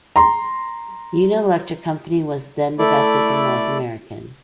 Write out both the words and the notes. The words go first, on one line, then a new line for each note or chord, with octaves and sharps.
Union Electric Company was then divested from North American.
A#5 C6
A3 E4 A4 D5